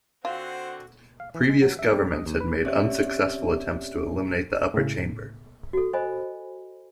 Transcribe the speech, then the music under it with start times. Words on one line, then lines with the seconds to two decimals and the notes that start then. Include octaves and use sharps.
Previous governments had made unsuccessful attempts to eliminate the upper chamber.
0.25 D3 C4 F4 F#4 C5 F#5
1.20 F5
1.35 E3
1.49 G#3
1.62 F#3
1.79 E5
1.93 G3
2.12 D#5
2.26 D#2
2.41 B4
2.65 C4 C#4 G4 C#5 D5 E5
4.74 A2 C#3
5.73 F#4 A4
5.93 C5 D#5 G#5 B5